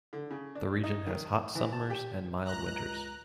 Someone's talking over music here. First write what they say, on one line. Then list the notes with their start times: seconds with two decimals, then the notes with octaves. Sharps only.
The region has hot summers and mild winters.
0.13 D3
0.31 C#3
0.55 D4
0.84 D#4
1.07 D#3
1.55 E3
1.72 A5
1.90 G4
2.44 C#2 A#5 F#6